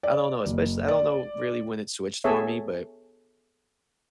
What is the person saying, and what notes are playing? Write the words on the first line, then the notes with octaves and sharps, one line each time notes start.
I don't know espec I don't know really when it switched for me, but,
D5
F#1
D5
B3 G#4 A4 C#5 E5